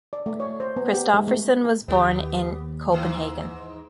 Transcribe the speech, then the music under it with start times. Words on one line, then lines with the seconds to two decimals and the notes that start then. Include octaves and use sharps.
Christopherson was born in Copenhagen.
0.13 D5
0.26 A3
0.40 C#5
0.60 C5
0.76 B3
0.94 G4
1.14 G#3
1.28 A3
1.88 D#2 B3 G4
2.92 G#2 D#3 E3